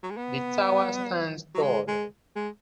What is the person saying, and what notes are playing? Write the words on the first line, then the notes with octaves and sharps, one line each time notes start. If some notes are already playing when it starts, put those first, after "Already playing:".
The tower stands tall.
F#3
G#3
B3
F#3
G#3
G#3
G#3